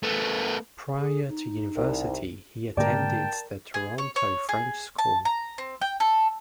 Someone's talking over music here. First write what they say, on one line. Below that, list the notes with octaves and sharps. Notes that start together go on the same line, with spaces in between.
Prior to university, he attended the Toronto French School.
A3 B3
G#4
D#4
C2
G#2 D3 A#3 A#4 D5 G5 A5
G#4
C#5
C#5
G#4
A5
A#5
C4
G5
A4